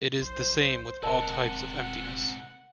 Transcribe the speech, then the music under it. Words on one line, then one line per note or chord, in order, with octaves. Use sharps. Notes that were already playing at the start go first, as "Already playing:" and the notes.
It is the same with all types of emptiness.
B1 C5
D#1 C3 G#3 A#4 D#5 F#5 A5